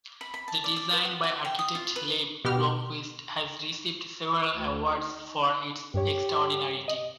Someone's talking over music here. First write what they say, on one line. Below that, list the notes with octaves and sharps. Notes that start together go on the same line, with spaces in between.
The design, by architect Leif Blomquist, has received several awards for its extraordinarity.
B5
B5
A5
D5
D5
B4
F#5
F#5
G5
D#6
F4
B4
B2 G4 F6
D2
D#4
G2 G4 C#5
D#5